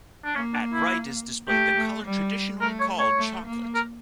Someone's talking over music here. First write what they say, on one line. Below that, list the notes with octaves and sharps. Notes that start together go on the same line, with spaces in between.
At right is displayed the color traditionally called "chocolate".
D4
A#3 C#4
D4
E4
A3 G4
A3
G3
A3 A#4
C#5
C#5
A3
A#3
A#4